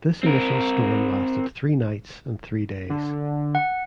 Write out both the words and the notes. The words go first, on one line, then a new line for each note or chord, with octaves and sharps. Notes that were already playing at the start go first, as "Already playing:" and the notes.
This initial storm lasted three nights and three days.
C4 A#4
D3
F#5